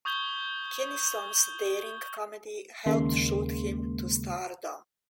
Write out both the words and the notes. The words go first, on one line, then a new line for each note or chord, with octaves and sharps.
Kinison's daring comedy helped shoot him to stardom.
C#6 D#6 G6 G#6 G7
D#2 C#3 G#3 A#3 C6